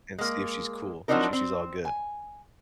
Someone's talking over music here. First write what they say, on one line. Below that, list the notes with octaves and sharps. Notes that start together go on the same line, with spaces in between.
and see if she's cool. She she's all good.
G#3 A#3
F3 F#3 C4 D4 D#4 A#4
C4
G#5